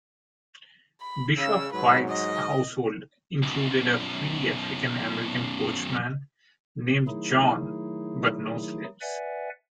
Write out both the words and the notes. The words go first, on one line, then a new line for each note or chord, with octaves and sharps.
Bishop White's household included a free African American coachman, named John, but no slaves.
B5
C#3 E6
G#2 F#3 B4
D#5
B1 F#2
D#3 F#3 A3 D#4 E4 G#4
B4 D5 E5 F#5 G#5